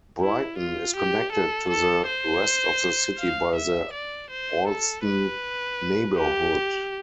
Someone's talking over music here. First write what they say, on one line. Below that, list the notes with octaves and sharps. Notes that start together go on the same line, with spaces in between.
Brighton is connected to the rest of the city by the Allston neighborhood.
E4
F4
G4
A4
A4
C5
F5
E5
D5
C5
A4
B4
G4